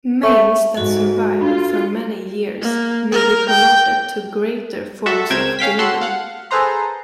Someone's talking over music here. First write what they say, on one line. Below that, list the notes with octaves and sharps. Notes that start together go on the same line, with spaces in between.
Manes that survive for many years may be promoted to greater forms of demon.
A3
G#2 F#4 A4
D4 F4
A#3
A#4
G5
F#4 A4 E5
C#2 C4 A#4 G5 G#6 E7
C#4 F5 G5 B6
F#4 A4 C6 E6 F#6
F5 F#5
G#4 A4 B4 C5 A#5 C6